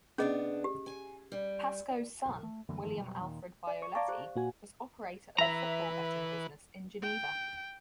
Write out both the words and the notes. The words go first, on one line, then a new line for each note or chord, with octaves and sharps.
Pascoe's son, William Alfred Bioletti, was operator of a football betting business in Geneva.
C3 B3 C#4 D4 G#4 D#5
G4
G#5
G3
F#1 B1
A3
F#2 D3 E3 A#3
G2 D#3 F3 A3
F1 B2 F#3 G3
D#2 A#2 D#3
D5
D5 C#6
D5 F5 A5 A#5 C#6 D6
G4 C5
A#2 F#4 G#5
E3 B4 E5 A#5 F#7
G5